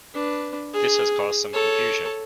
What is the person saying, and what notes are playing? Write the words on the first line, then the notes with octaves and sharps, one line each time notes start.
This has caused some confusion.
D4 B4
G#4
A4 C#5